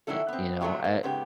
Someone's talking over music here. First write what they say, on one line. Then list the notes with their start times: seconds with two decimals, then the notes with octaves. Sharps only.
y you know, I
0.07 D#3 F#3 D4 E4 A4
0.28 B3 C4
0.61 G2 C3 F#3 G#3 A3 D4
0.84 A#3
1.03 G#2 C#3 B3 G4